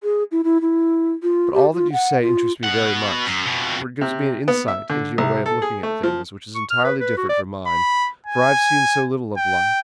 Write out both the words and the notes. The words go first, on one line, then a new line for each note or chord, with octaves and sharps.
But all that you say interests me very much, for it gives me an insight into your way of looking at things, which is entirely different from mine, for I have seen so little of life.
G#4
E4
E4
E4
F4
G4
F4
F#5
F4
B2 F#5
F#2
F2 B2
C3
B3
E5
D3
C2
A4
G#4
A3
F3
C#6
F6
B4
B4
F#4
D5
B5
G#5
G5